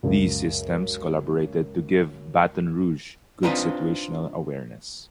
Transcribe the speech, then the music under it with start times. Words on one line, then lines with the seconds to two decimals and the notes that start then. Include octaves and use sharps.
These systems collaborated to give "Baton Rouge" good situational awareness.
0.03 C#2 F#2
3.43 C4 D4 D#4 F4 B4 D#5